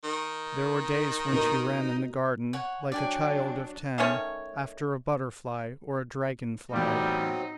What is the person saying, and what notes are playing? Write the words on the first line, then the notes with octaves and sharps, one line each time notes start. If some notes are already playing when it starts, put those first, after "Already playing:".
There were days when she ran in the garden, like a child of ten, after a butterfly or a dragon-fly.
D#3
B2 D#4 A#4
C#5 F#5 G#5
F#3 D4 D5 G5 G#5
D#3 A3 C#4 C#5
E2 A2 F#3 G3 C4 D#4